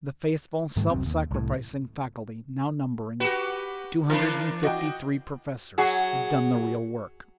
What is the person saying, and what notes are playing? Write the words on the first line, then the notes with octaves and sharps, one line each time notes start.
The faithful, self-sacrificing faculty, now numbering two hundred and fifty-three professors, have done the real work.
G#2 D#3 G3 A3
F1 C2 F#3 C4
D#2
C2 A2
F#4 G4 B4
E3 D4 A#4 B5
F#4 D#5 G5
F#3 F#4 G#4